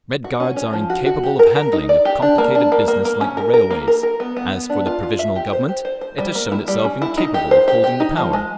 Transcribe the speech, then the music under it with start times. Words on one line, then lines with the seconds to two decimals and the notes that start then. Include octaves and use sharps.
Red Guards are incapable of handling a complicated business like the railways; as for the Provisional Government, it has shown itself incapable of holding the power...
0.24 F#4
0.40 C#4
0.56 C#4
0.73 F3
0.90 F#4
1.06 F#4
1.24 G4
1.39 A#4
1.56 A#4
1.73 D#4
1.89 D5
2.05 G4
2.22 D4
2.38 A#3
2.55 D4
2.72 A#3
2.88 A#3
3.05 A#3
3.21 C#4
3.37 A#4
3.54 A#4
3.71 A#3
3.88 A#4
4.03 A#4
4.20 B3
4.37 B3
4.53 B3
4.70 D4
4.86 F4
5.03 F4
5.19 E5
5.36 G4
5.53 C5
5.69 G4
5.85 C5
6.01 C5
6.18 G3
6.35 A#3
6.52 E4
6.68 G3
6.85 C#4
7.02 E4
7.18 D#4
7.34 G4
7.51 C5
7.68 G4
7.84 G4
8.00 D#4
8.17 F3
8.33 G#3